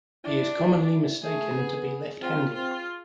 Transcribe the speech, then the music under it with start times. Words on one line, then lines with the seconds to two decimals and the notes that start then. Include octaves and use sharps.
He is commonly mistaken to be left-handed.
0.24 D4 E4
0.57 F4
0.90 E4
1.23 A3 G#4
1.56 B3
2.21 C4 F4
2.54 C4 F4